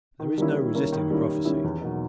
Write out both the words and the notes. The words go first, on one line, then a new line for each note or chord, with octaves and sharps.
There is no resisting a prophecy.
D#3
G3 A#3 C#4 E4
D#3
G3 A#3 C#4 E4
D#3
G3 A#3 C#4 E4
D#3
G3 A#3 C#4 E4
E2
B2 F#3 A#3 D#4